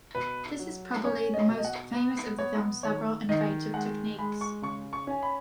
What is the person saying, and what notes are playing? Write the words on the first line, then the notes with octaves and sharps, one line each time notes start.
This is probably the most famous of the film's several innovative techniques.
B2 B4
F#3
C#4 C#5
D#5
B2
D#5
F#5
B3
B3 C#5
D#3 C#5
D#3 D#5
G#3 F#5
G#3 B5
C#6
C#3 C#6
C#6
C#4 G#5
B5